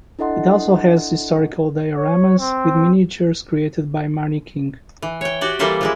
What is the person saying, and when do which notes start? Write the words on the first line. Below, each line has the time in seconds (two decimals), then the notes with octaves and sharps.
It also has historical dioramas with miniatures created by Marnie King.
0.19 D4 E4 A4 D#5 F#5 C6
1.97 C#5
2.39 C4
5.02 E3
5.21 C#5 G5
5.41 F#4 G4 D5
5.59 E3 G3 A#3 A4 C5 E5
5.81 F3 G#3 E4